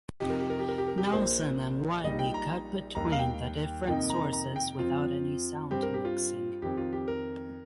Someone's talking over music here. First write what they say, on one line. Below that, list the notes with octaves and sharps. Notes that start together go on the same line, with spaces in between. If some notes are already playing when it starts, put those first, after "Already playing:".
Nelson and Wiley cut between the different sources without any sound mixing.
F2 C3 F3 D#4 G4
A#4
G4
A#4
G4
A#4
G4
A#4
G4
A#1 A#2 A#3 C5
A#1 A#2 G3 D#4 D#5
G5
A#5
D#2 D#3 G3 D#4 A#5
F5
G5
F2 C3 D#3 A#3 D#4 G5
A#5
A#5
G5
F2 F3 C4 F4
G2 G3 C4 G4
A#4
G4
F4
F2 D#3 C4 G4
F4
G4
A#4